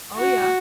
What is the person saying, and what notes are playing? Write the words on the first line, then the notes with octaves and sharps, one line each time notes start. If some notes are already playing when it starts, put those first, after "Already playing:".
Oh, yeah.
F#4